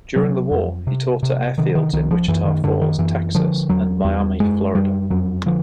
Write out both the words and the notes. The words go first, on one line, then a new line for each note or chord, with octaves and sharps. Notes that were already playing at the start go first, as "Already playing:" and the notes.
During the war he taught at airfields in Wichita Falls, Texas, and Miami, Florida.
C3 F#3
F2
C3
C3
C3 D#3
D#3
C2 D#3
F3
F#2 E3
D#3
F#2 D3
D#3
F#2 E3
D3 F3
E2 F#3
E2 G3
F#2 G#3
F#2 G3
F2 F#3
D3 F3